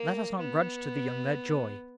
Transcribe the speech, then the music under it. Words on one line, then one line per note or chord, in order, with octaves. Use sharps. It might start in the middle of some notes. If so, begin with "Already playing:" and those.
Let us not grudge to the young their joy.
Already playing: A#3
B3